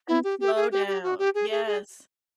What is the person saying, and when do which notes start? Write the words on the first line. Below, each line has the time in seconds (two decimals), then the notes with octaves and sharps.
And slow down. Yes.
0.08 E4
0.24 G4
0.40 G4
0.56 G#4
0.72 G4
0.87 G4
1.03 F#4
1.19 G4
1.35 G#4
1.51 G#4
1.66 G#4